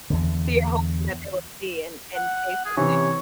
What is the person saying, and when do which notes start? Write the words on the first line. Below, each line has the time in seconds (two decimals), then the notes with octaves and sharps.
so you're hoping that they will see and and say something.
0.10 E2 D3
2.16 F#5
2.65 G#4
2.77 C3 E3 C#4 C#5